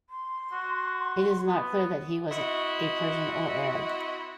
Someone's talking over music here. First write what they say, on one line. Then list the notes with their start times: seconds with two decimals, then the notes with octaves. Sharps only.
It is not clear that he was a Persian or Arab.
0.10 C6
0.52 F#4
1.47 B3
2.29 C4 E4 F#4 D#5